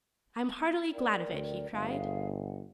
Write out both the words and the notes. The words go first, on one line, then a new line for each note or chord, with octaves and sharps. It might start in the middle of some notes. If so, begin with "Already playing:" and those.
"I am heartily glad of it," he cried.
A#4 D5 G5
D2
G1 G#4 E5 F5
F#5